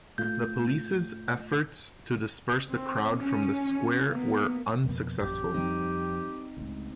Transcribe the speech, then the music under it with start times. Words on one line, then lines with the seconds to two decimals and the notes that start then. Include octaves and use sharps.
The police's efforts to disperse the crowd from the Square were unsuccessful.
0.18 A2 A3 F4 G6
2.68 C4
3.19 C#4
4.07 A#3 B3
4.84 F2 B2 A#3
5.19 A1 F#2 A#2 G4
5.54 F2 G3 C4 D#4
6.57 C#2 A2